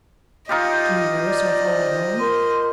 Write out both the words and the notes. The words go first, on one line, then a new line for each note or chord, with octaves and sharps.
"Can you row so far alone?"
D#4 F4 G4 D#5
D5
C5
A#4 C6